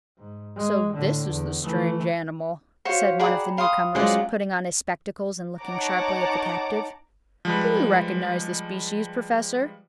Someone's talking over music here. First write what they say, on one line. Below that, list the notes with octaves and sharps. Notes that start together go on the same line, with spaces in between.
"So this is the strange animal," said one of the new-comers, putting on his spectacles and looking sharply at the captive; "do you recognize the species, Professor?"
G#2
G#3
A2 D3
E2
E3 A3
F#4 C5 C#5 F5 F#5
G#4 D5 F#5 G5 A#5 B5
F5 C6 D#6
F#3 G#3 C#4 F4 C5 D5 F5 G#5
D#4 C#5 F#5 A5 A#5 D6
F3 G3 G#3 B4